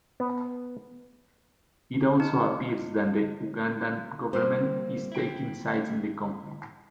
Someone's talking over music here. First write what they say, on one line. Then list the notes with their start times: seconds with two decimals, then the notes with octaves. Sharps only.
It also appears that the Ugandan government is taking sides in the conflicts.
0.20 B3
2.20 D#4
4.33 G3 A#3 C4 C5
5.12 E4 G5